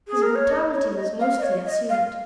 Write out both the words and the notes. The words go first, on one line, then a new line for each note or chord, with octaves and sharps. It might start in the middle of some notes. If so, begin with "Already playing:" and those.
His brutality was mostly assumed.
G#4
A#4
C#5
D#5
C#5
C#5
D#5
F5
D#5
C#5
D#5
F5